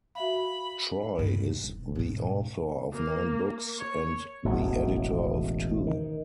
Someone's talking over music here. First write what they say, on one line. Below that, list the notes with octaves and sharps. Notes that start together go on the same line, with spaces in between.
Troy is the author of nine books, and the editor of two.
F#4 E5 F5 B5
G2 C3
E1
G#2 B2
A#3
C#5
E1 A1 F#3
D#3